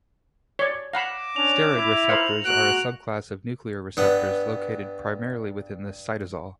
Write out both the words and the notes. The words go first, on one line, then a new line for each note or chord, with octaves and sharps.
Steroid receptors are a subclass of nuclear receptors located primarily within the cytosol.
C#5 D5
F5 F#5 B5 D6 A#6 E7
C#4 D4 F7
E4
A#4 C5 F5 C#7 F7 F#7
G#3 A#3 F#4 F#6 D7
G2 B3